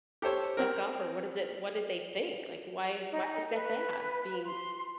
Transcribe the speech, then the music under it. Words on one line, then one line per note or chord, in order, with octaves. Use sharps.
stuck up, or what is it what did they think? Like, why why is that bad being
G4 A4 C5 C#5
C4 A#4
D#4
B4
C6